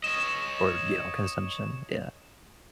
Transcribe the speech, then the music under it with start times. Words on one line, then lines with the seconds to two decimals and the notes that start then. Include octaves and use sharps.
or, you know, consumption, yeah.
0.04 C#5 D#5 E7